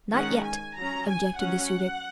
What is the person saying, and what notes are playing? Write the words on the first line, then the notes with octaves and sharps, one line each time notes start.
"Not yet," objected the Su-dic.
D#3 G#3 C#4 F#5
G#5
F#3 C#4 A#5
G#5
F#3 C#4 F#5